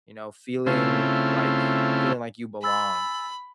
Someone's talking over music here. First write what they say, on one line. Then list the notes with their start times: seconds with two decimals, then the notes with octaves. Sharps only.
you know, feeling like, y know, feeling like you belong,
0.66 C#3 A3 C4 E4 F4
2.63 G#5 B5 E6 A6